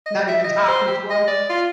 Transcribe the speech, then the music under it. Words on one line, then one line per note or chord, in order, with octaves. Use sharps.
Not even talking to him?
D#5
E5
D#5
C5
G4
D#5
D5
F4